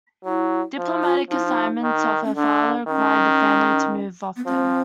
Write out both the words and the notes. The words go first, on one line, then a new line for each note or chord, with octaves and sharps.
Diplomatic assignments of her father required the family to move often.
F#3 E4
F3
F4
F3 D#4
E4
D#4
D#3
C#4
D3 D4
D#3 C#4
B3
F3 C4